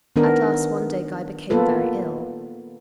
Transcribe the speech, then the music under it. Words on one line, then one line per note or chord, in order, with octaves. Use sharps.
At last one day Guy became very ill.
D#3 B3 D4 A#4
A#3 B3 F4 A4 B4